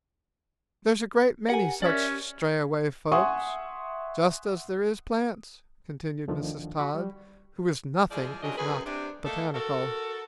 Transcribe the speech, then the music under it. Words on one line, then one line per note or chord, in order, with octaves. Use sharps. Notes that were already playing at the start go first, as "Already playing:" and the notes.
"There's a great many such strayaway folks, just as there is plants," continued Mrs. Todd, who was nothing if not botanical.
G4 A#4 F#5 G#5
C#4 D5 E5
E5 F#5 G#5 C6 C#6 D#6
D2 D3 D#3 F3
F#4 B5 C#6
G3
F3 G#3 E4 G#4 D5
F2 C3 F#3 C#4 D4 D#5
F#2 G#4 B4
C3 D4
A3 A#3 D#4 A4
F#4 A4 A#4